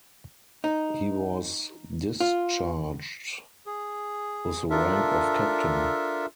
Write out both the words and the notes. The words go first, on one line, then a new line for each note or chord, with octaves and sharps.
He was discharged with the rank of Captain.
D#4
F4
G#4
D4 F4 A4 A#4 E5